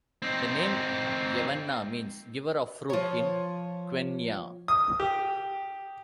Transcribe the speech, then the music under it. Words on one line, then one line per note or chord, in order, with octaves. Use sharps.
The name Yavanna means "Giver of Fruit" in Quenya.
C4 D#4
F3 C#5
D#6
G4